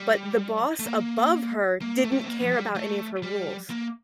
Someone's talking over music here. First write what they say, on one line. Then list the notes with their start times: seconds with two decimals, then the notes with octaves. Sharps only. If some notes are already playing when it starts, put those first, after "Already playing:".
but the boss above her didn't care about any of her rules.
Already playing: G3
0.79 A3
0.86 A#3
1.81 A#3
2.05 A3
2.12 G3
2.19 A3
2.24 C4
2.28 A#3
2.40 F3
2.51 G3
2.75 A3
3.23 G3
3.70 A#3